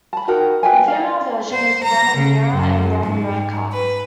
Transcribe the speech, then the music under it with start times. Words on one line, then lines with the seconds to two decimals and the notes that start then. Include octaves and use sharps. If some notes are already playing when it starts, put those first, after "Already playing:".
The female version is Branimira and Branimirka.
0.13 A5 B5
0.28 D#4 F#4 A#4 G5
0.63 B4 E5 G5 G#5
0.88 D5 F5
1.54 C5
1.84 A#5
2.15 C#3
2.53 F#2
3.04 G#2
3.72 B4